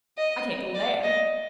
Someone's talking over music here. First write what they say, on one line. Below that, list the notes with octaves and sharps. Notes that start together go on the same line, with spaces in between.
I can't go there.
D#5
D5
D#5